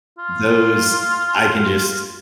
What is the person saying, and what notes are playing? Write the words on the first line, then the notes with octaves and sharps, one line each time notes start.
Those, I can just
F4